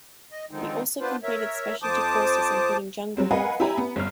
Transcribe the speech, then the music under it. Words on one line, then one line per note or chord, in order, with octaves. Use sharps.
He also completed specialty courses including Jungle Warfare.
D#5
D3 D#3 F3 G#3 C4 D#4
B3 D4 F4 B4 C5
A#4 C#5 E5
F2 F3 C5 A5 D6 D#6
F#3 G3 C4
A#4 B4 D#5 F5 F#5 G#5
E4 G4 G#5 A#5 B5
B3
G1 F6